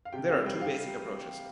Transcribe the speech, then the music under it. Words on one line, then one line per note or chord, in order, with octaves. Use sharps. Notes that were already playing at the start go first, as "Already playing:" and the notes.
There are two basic approaches.
F5
C3 G5
C3 F5
G3 G5
F5